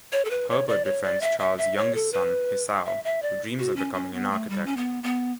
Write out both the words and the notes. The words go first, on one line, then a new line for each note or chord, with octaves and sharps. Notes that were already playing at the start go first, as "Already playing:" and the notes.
Herbert befriends Charles' youngest son, Hissao, who dreams of becoming an architect.
C#5
A4
B4
C#5
D5
C#5
D5
E5
E5
E5
C#5
A4
B4
E5
E5
D5
F#4
C#4
C#4
B3
A3
G3
C#4
B3
B3